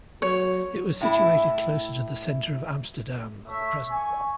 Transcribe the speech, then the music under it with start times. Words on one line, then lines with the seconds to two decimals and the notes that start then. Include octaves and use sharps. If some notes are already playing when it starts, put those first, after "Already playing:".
It was situated closer to the centre of Amsterdam than the present one.
0.22 F#3 C#5
1.01 A2 E4
3.47 A3 C#5 E5
3.91 G#5 C#6